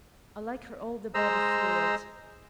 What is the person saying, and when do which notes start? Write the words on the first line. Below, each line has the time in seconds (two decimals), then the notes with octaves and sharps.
I like her all the better for it.
1.14 G#3 C5 D#5 A#5 E6